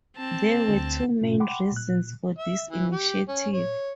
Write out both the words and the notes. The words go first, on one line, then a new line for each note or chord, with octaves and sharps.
There were two main reasons for this initiative.
C4 A5
D2
G#2 B2 C#4 F4
F#5 G5 B5 C6 D6
A#2 F#6
E5
E3
G4
C#4
C#5